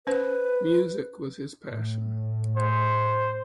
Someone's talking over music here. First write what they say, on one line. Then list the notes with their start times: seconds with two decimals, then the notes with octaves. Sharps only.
Music was his passion.
0.07 C#4 B4 C5
1.68 A2
2.57 C5